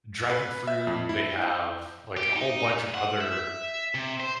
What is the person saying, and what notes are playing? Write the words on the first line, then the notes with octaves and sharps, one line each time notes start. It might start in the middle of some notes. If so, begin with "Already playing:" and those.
dragon fruit, they have, like, a whole bunch of other
B4
E5
F2
E4
G6
G4
D#4
F#5
E5
C3
C5